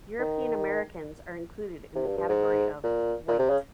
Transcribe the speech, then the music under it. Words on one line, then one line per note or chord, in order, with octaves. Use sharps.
European Americans are included in the category of "White".
D#3
C3
G2
G2
G#2
A#2
A#2
C3
C#3